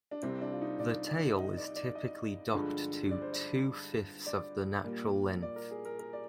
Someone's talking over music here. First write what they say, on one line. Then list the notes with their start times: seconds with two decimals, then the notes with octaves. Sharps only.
The tail is typically docked to two-fifths of the natural length.
0.11 D4
0.22 C2 C3 G3 C4
0.41 D4
0.52 F4
0.61 D#4
0.80 D5
1.09 D5
1.38 D#5
1.58 D5
1.76 D5
1.95 D#5
2.53 G2 D3 F3 G#3
3.11 D5
3.22 C5
3.33 D5
4.26 D5
4.84 A#2 G3 A#3
5.42 D5
5.56 A#4
5.71 G#4
5.85 A#4
5.99 A#4
6.13 D5